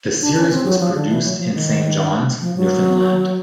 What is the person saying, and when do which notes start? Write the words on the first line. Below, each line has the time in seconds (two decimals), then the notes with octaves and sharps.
The series was produced in Saint John's, Newfoundland.
0.21 D4
0.36 C#4
0.51 C4
0.65 F#3
0.80 F3
0.94 D3
1.09 E3
1.24 F#3
1.39 F3
1.53 D#3
2.41 F3
2.55 F#3